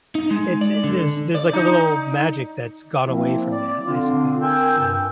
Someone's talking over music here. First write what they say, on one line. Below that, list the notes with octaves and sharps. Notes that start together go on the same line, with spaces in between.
It's in there's there's a little magic that's gone away from that, I suppose, yeah.
D#4
G#3
D5
D3
D5
D#4
F3 A#3 C4 E4
D5
D3 C4 D4 F4
A#4 G5 G#5 E6
G2